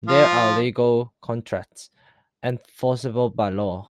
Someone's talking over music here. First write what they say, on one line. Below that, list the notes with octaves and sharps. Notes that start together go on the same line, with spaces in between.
There are legal contracts, enforceable by law.
F3 F4